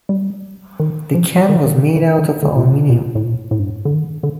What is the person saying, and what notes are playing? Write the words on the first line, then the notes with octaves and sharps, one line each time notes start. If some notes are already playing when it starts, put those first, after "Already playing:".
The can was made out of aluminium.
G3
D#3
F3
D#3
D#3
D3
D#3
D#3
D3
A#2
C3
A#2
A2
A#2
A2
G2
D3
D#3
D3